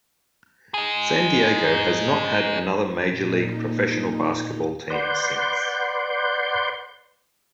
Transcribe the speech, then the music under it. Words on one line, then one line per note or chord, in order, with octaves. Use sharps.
San Diego has not had another major league professional basketball team since.
D#4 G#4
A#2 D#4
B4 D5 F#5 C6 G6